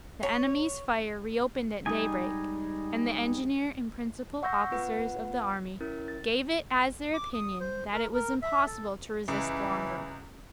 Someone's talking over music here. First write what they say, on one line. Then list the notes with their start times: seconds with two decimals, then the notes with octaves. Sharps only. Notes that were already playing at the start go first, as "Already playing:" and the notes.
The enemy's fire reopened at daybreak, and the engineer and principal officers of the army gave it as their opinion that it was impossible to resist longer.
0.23 C#5
1.86 G3 G#3 D#4 G#5
4.43 F#5 C#6 E6 G6 A#6
4.71 B3 F4 B4 F#5
5.81 C#4 E4 A#4
6.08 A6
7.14 D6
7.34 D#6
7.60 C5
7.93 A#4
8.14 A#4
8.42 E5
8.66 A4
9.28 C#2 E3